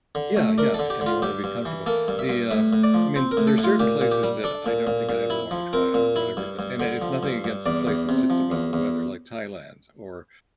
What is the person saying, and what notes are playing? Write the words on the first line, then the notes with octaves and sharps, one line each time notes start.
Yeah, yeah, and you wanna be comfortable. The, uh I mean, there are certain places that I don't think I ever wanna try out whatever the and and it's nothing against the place, it's just about the weather, like Thailand or
D3
A3
D4 A#4
D3 A4
G4
D3
F4
G2 G4
G2
E3
A#3 A4
G2
E5
G2
A2 E5
A2
D5
F3
C4 C5
A#4
A2
A4
A2
F4
A#2 G4
A#2
G4
G3
D4 A4
A#2
A#2
A#2
E4
F3
C4 A#4
A#2
E4
G2
G2
D3
F3
G2
G2
E2 D5
E2
C3
F3
E2
E2